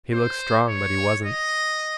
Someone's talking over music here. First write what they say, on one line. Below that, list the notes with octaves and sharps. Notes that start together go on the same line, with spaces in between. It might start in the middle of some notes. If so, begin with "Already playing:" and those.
He looked strong, but he wasn't.
C5
C#5
D#5